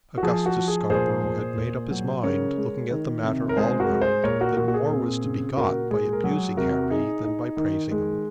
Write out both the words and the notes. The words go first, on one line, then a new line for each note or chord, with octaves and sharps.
Augustus Scarborough had made up his mind, looking at the matter all round, that more was to be got by abusing Harry than by praising him.
F#4
F3 G#4
F#4
F3
G#4
A#2 G#4 C5
A#2
A#2
F#3
C#3 A#4 C#5
G#3
D#3
C3
A#4
G#3 G#4 C5
F#4 A#4
G#3
G#4 C5
A#2 A#4 C#5
F#4 A#4
A#2 F#4
F#4
G#4
C4
C#3
A#2 F#4 A#4
G#3 G#4
A#4
F#3 G#4
C3 F#4 A#4
D#4 G#4
D#4
D#3
G#3